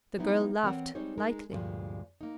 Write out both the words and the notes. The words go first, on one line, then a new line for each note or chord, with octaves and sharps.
The girl laughed, lightly.
F#3 G3 B3 C4 D#4 E4
E3 C4 A#4 B4 C#5 F#5
G3 G#3 C4 D#4 C5 C#5
G#3 D#4 A#4
D2 G2 A#2 D3 F3 G#3
A#3 D#4